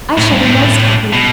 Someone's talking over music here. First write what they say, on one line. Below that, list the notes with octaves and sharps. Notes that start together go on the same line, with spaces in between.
"I shall be most happy."
A2
G2
A2
B2